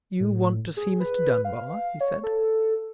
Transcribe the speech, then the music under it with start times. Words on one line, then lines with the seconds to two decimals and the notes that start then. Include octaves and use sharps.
"You want to see Mr. Dunbar?" he said.
0.20 A2
0.77 G#4
1.00 B4
1.45 F5
2.01 C#5
2.23 A4